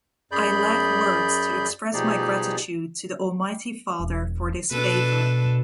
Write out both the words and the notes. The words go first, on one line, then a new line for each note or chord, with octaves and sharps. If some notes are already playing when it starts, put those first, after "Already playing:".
I lack words to express my gratitude to the Almighty Father for this favour.
F#2 G#4 D5 B5 G6
B2 F3 D#4 G4 G#4 D5
E1
B2 D4 A4 B4